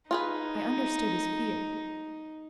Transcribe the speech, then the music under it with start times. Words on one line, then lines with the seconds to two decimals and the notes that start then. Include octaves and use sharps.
I understood his fear.
0.11 D#4 F4 G#4 B4